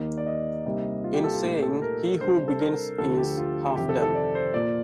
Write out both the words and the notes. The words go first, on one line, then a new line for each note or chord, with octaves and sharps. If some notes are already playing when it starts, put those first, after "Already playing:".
In saying, He who begins is half done.
Already playing: D#2 D#3 A#3 D#4
D5
D#5
C2 C3 G3 A#3 D#4
F4
G4
A4
F4
A#2 A3 D#4 G4
A4
A#4
C3 G3 D4 C5
A4
A#4
D2 D3 F3 A4
G4
F4
F2 C3 D#3 G4
A4
A4
D5
C5
A#2 F3 A#3 D5